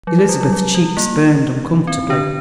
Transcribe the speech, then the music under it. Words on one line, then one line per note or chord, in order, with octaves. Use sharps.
Elizabeth's cheeks burned uncomfortably.
F#3
F#3
G3
F#3
F#3
G3
A#3
C4
D3 D4